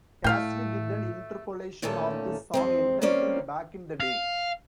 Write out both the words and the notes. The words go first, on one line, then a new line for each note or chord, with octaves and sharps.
Cassidy did an interpolation of this song entitled "Back in the day".
A2 A3 F5 G5
A#2 D#3 A3 C#4 A4
F2 G#3 C4
G3 A#3 C4 C#4 D5
F5